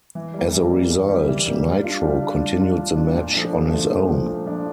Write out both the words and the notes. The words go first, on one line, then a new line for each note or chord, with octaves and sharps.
As a result, Nitro continued the match on his own.
E3
G3 A#3
E3
G3 A#3
E3
G3 A#3
E3
G3 A#3
G3
D4 F4
G3
D4 F4
G3
D4 F4
G3
D4 F4
A#2
F3 A3 D4
A#2
F3 A3 D4
A#2
F3 A3 D4
A#2
F3 A3 D4